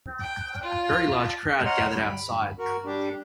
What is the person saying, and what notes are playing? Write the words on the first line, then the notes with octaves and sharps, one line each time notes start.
Very large crowd gathered outside.
G5
F4
C#5 D#5 F#5 A#5 C6 F6
B5
F#4 A#4
G3 D4 G4